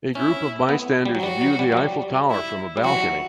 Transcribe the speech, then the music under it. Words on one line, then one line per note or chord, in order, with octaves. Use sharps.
A group of bystanders view the Eiffel Tower from a balcony.
C#4 E4
B3
G3
F#3
G3 F#4
F#3
G3
F#3
G3
E4
G3
F#3 F#4
E3
F#3